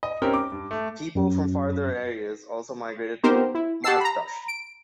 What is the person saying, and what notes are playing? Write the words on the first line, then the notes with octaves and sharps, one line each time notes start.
People from farther areas also migrated to Marvdasht.
D#5
C4 C#4 D#4 G4 A#4 G5
D6
G2
A3
F#2
B3 C4 D#4 G4 A#4 C5
E4
G4 F#5 A5 E6 C7
A#5 B5
D7